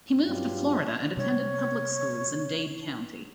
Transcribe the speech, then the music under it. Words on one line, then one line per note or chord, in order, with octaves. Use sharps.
He moved to Florida and attended public schools in Dade County.
G2 F#3 F4 G4
C3 G3 C#5